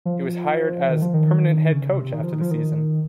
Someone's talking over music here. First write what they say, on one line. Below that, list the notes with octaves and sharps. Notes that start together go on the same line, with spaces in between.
He was hired as permanent head coach after the season.
F3
D#3
F3
D#3
C#3
C3
D#3
F3
D#3
F3
D#3